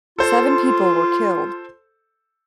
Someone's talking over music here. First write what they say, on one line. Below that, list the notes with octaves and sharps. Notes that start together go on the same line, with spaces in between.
Seven people were killed.
F4 A4 C5